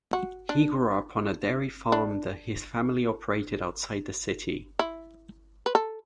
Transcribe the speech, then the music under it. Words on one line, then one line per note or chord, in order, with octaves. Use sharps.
He grew up on a dairy farm that his family operated outside the city.
F#4
D4
D4
E4
B4
A4